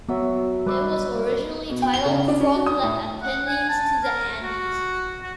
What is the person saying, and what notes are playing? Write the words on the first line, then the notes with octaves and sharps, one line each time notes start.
It was originally titled "From the Apennines to the Andes".
F#3 B3 E5 E6
G3 B4 D5 E5
B2
G5
G7
C#3
D4
C#4
F#4
D#6
A2
F#5
G#5
A5
A#4
F#4
F#4